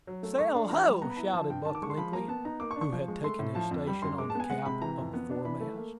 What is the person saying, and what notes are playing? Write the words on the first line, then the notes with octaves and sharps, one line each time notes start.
"Sail, ho!" shouted Buck Lingley, who had taken his station on the cap of the foremast.
F#3
A3
A3 C#6
D4
E3 A#5
G3
B3 A#5
B5
E4 A#5
F3 A5
G2 G5
D#3 A5
D6
G#3 C#6
C6
F3 B5
A#3 A#5
B3 A5
D#4 A#5
A#3 D6
C#6
D4
C#6
F3
G#3
A3 C6
A2
F3 A5
F2
G3 B5
F#2 C6
G#3 D6
A5
B3 G#5
G#3 F#5
C3 B5
E3 A#5
F2
B3
D4
E3 B5
A3
A#3